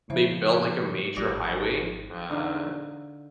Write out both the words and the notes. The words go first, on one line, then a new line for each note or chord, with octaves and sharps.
they built like, a major highway, uh,
C#3 F3 E4 C5 E5
B3
G#1 F#3 G#3 G4
D#4
D3 D#4 F5